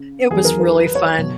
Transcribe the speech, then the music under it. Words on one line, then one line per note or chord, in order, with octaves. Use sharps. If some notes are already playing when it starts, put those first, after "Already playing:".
It was really fun.
Already playing: C#3
E2 D#3 F#3 G#4
A#4
A#4
B4
B4
C#5
C#5
B2 F#3